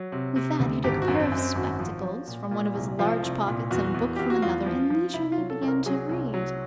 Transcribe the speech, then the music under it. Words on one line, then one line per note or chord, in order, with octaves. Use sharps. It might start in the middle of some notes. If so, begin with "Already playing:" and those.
With that he took a pair of spectacles from one of his large pockets, and a book from another, and leisurely began to read.
Already playing: F#3
C3
C3
D2
G#1 G4
F#4
F#2
C4
F#2
C4
G#1 F#4
F3
F3
A#2
A#2
C2
F3 F4
C2
A#2
E2 F#4
E2
E2 G4
F#4
E2 F4
F3
F3
C2 E4
F4
F#3
A4
C2
A#4
F#3 G#4
C2
F#3